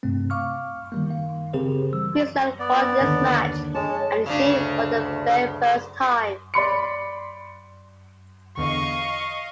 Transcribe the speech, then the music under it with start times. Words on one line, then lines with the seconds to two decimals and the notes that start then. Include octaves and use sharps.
Queensland won this match and the Shield for the very first time.
0.03 G2 C3 A3 C4
0.30 F5 C#6 D6 F6
0.92 D#3 G3 A#3
1.07 D#3 F5
1.53 C#3 C4 G4 G#4 A#4 C5
1.92 E3 G3 E6
2.59 B3 D5
3.01 D#2 D3
3.75 G#3 C#5 A5
4.26 D2 C#3 D4
6.54 D5 B5 C6 C#7
8.57 E2 D3 D#5 F5 C#6